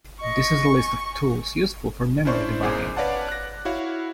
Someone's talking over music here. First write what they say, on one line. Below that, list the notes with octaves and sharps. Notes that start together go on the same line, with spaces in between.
This is a list of tools useful for memory debugging.
D#5 C#6
G#5
C#4 D4 E4 C5 D5 C#6
B1 F#2 G#4 C5 G#5 D6
B4 C#5 D5 F5 F#5 A5
F#6 A#6
E4 F#4 C#5 F5